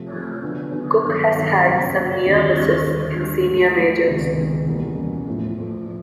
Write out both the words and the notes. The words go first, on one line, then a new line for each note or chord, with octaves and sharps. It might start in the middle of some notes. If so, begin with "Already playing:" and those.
Cook has had some near-misses in senior majors.
Already playing: C3 F3 A3
C3 F3 A3
D3 F#3 B3 D4 F4
D3 F#3 B3 D4 F4
G2 D#3 F#3 B3
G2 D#3 F#3 B3
F#2 C#3 F#3 A#3
F#2 C#3 F#3 A#3
D#2 D3 G3 C4 E4
D#2 D3 G3 C4 E4
D#2 D3 G3
D#2 D3 G3
G#2 F3 A3
G#2 F3 A3
C#2 C3 D#3 G#3 B3
C#2 C3 D#3 G#3 B3
E2 B2 G3 A#3 C#4
E2 B2 G3 A#3 C#4
A2 F3 A3
A2 F3 A3